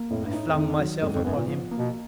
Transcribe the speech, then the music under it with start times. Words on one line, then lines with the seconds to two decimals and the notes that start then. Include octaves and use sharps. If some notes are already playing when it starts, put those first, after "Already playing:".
I flung myself upon him.
Already playing: A#3
0.10 F2 A2
0.25 G2
0.33 D#4
0.41 F2
0.56 D#3
0.79 F#3
1.01 F2 G#2
1.13 F2
1.25 F#2 B3
1.36 A#2
1.48 F3
1.71 A#3
1.79 B2